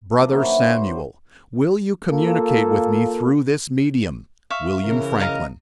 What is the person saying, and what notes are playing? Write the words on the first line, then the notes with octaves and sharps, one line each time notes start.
"BROTHER SAMUEL:--Will you communicate with me through this medium? WILLIAM FRANKLIN."
F3 A#3
F#2 D#3 E4 F#4
D4 B4 E5
C5
A#3 F4 A4
E5 F5 C#6
C#3 E3 A#4
D#5 F5 A#5